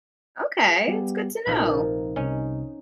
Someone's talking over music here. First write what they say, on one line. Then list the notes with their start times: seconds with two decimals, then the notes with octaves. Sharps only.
Okay. It's good to know.
0.64 G#4 F5
0.88 G3 B3 G4
1.47 A#1 C3 F3 D#4 A#4
2.16 C2 C3 C#4 D#4